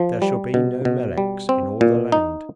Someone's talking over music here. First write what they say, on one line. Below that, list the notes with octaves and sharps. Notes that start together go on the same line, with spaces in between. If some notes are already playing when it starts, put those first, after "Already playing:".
There shall be no Meleks in all the land.
Already playing: F3
G3
B2
B2
G3
C4
A#2
D#4